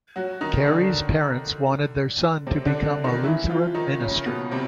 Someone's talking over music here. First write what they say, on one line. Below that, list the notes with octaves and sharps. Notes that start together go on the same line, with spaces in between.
Carey's parents wanted their son to become a Lutheran minister.
F#3 F#4
D#3 D#4
D3 D4
C3 C4
D3 D4
D3 D4
D#3 D#4
E3 E4
F3 F4
D#3 D#4
C#3 C#4
B2 B3
C3 C4